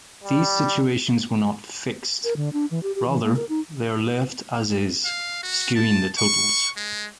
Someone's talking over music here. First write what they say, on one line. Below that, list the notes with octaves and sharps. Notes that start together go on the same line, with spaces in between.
These situations were not "fixed"; rather, they are left as-is, skewing the totals.
G3
A#4
D3
D4
E3
G4
G4
E3
A#3
A#4
D#4
F5
F#4
A5
C#6
G#3